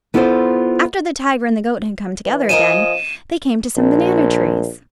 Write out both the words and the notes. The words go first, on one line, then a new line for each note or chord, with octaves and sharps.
After the tiger and the goat had come together again they came to some banana trees.
B3 E4 F4 A4 A#4 C5
E3
F3 A#4 D#5 G#5 D#7 E7
A#1